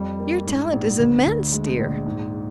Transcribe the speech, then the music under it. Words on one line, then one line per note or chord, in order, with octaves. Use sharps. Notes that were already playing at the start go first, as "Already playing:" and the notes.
"Your talent is immense, dear!"
Already playing: F2 G3
A#3
G#2
A#1
D2
D2
G#3
A#1
G#2